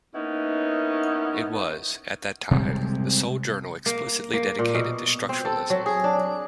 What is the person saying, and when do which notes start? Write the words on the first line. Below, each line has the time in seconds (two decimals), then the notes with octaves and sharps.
It was, at that time, the sole journal explicitly dedicated to structuralism.
0.14 A#3 B3 C#4 D#4 E4
2.51 C3 G3 G#3 C4
3.86 A#3
4.34 A#3
4.59 A#2
4.75 B2
5.29 C4
5.45 A4
5.70 F#3
5.86 G#4
6.04 D4